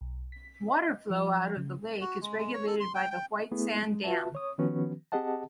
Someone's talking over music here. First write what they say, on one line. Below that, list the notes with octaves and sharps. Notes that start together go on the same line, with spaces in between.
Water flow out of the lake is regulated by the Whitesand Dam.
B1
B6
D#5
F3
C#3
F#4
G#3
G#3
C#5
A4
C6
G5
G5
A3 B3 E4 G#4
G#3
F4 F#4 B4 E5 A5
C#5 D#6
D#3 F3 B3 C#4 F#4 B4
C4 G4 G#4 D#5 F#5 A5